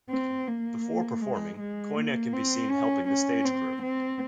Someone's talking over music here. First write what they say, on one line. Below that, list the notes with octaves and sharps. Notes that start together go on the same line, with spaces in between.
Before performing, Coyne can be seen helping the stage crew.
C4
A#3
G#3
G#3
A#3
C4
C#4
C#4
C4
C4